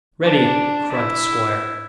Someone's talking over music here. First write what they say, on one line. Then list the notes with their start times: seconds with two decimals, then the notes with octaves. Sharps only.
"Ready!" cried the squire.
0.23 D4
0.92 E4